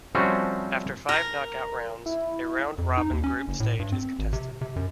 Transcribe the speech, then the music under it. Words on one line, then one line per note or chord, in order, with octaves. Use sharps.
After five knockout rounds, a round-robin group stage is contested.
F3 G3 A3 C4 C#4 F#4
A#4
E4
F2
D#4
D#2
C#4
F#1
A2
G2
C4
G#1
C3
C3
F#2